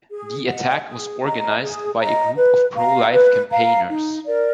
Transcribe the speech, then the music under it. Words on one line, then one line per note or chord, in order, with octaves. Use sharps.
The attack was organised by a group of pro-life campaigners.
G#4
D#5 F#5
G#4
D#5 A#5
G#4
D#5 A#5
B4
F5 A#5
B4
F5 A#5
D#4
A#4 D5